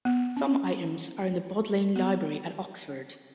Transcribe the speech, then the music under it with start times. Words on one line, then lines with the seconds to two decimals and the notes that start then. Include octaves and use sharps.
Some items are in the Bodleian library at Oxford.
0.05 B3
0.37 C#4
1.96 B3